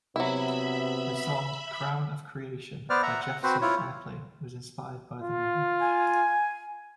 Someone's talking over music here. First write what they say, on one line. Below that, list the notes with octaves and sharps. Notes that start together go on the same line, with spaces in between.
The song "Crown of Creation" by Jefferson Airplane was inspired by the novel.
C3 F#3 B3 E4 E5 B5
B3 B4 C5 D5 F6
E5 F#5 A#5
F#5
C4 F#4 B4 C5
E4 F4 C#5
F4
G#5